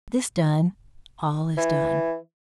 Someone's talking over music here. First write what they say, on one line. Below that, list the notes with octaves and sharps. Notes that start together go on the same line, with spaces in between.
This done, all is done.
E3